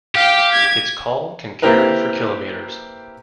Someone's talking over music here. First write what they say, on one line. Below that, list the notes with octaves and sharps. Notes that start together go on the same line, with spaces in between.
Its call can carry for kilometres.
G4 F5 G5
G#6
A#3 C4 E4 G4 A#4 B4